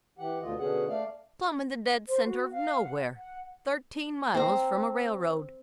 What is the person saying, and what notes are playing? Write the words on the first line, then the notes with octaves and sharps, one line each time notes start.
Plumb in the dead center of nowhere. Thirteen miles from a railroad.
E3 G4 F#5
D2 B2 D3 F4 D#5
B2 D3 B3 C#4 G#4 F#5
A3 D5 F5
C5
F#4
F5
F#5
F#5
C4 A#5